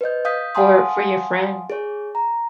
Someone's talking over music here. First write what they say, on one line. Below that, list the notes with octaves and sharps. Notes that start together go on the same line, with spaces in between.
for for your friend.
B4 C5 D#5 G6
F5 D#6 G6 B6
F5 F#5 G#5 A5 C6 D#6
G#4 C#5
A#5